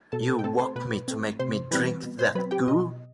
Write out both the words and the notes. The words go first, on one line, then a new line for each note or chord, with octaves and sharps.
You woke me to make me drink that goo.
B2 A4 A5
A4 A5
G5
A3 C4 A4 A5
C5 C6
B2 B4 B5
A3 C4
C3 C5 C6
E3 G3 C4 B4 B5
B2
C5 C6
F#3 C4 B4 B5
G4 G5
B2 D#5